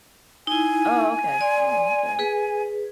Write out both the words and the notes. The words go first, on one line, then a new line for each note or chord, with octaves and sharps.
Oh, okay, oh, okay
D#4 E4 G#5
D5 C6
G#4 B4